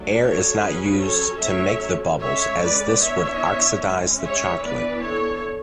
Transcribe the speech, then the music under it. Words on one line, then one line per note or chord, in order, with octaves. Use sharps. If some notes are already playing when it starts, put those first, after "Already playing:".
Air is not used to make the bubbles as this would oxidize the chocolate.
Already playing: F#3 A3 D4
A4 C#5
F#3 C#4 G#4 B4
A4 C#5
F#3 A3 C#4 C#5 E5
D3 G#3 C#4 C#5 E5
B4 D5
E3 B3 D4 C#5 E5
G#3 C#4
C#5 E5
E3 B3 D4 B4 D5
A4 C#5